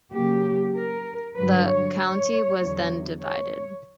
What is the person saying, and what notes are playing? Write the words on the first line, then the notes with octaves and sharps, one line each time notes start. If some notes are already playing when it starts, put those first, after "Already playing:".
The county was then divided.
C#3 F#3 A#3 G4
A#4
G2 D3 F#3 B4
C#5
C#5
E2 D3 F#3
C#5